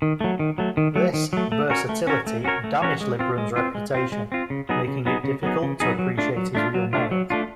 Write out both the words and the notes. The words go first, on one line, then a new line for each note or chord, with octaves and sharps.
This "versatility" damaged Lebrun's reputation, making it difficult to appreciate his real merit.
D#3
F#3 A3
D#3
F#3 A3
D#3
F#3 A3
D#3
F#3 A3
A3
C#4 F#4 A#4 C#5
A3
C#4 F#4 A#4 C#5
A3
C#4 F#4 A#4 C#5
A3
C#4 F#4 A#4 C#5
G#3
C4 F4
G#3
C4 F4
G#3
C4 F4
G#3
C4 F4
C#3
F#3 B3 D#4 G#4
C#3
F#3 B3 D#4 G#4
C#3
F#3 B3 D#4 G#4
C#3
F#3 B3 D#4 G#4
F#3
A3 D4 F4
F#3
A3 D4 F4
F#3
A3 D4 F4
F#3
A3 D4 F4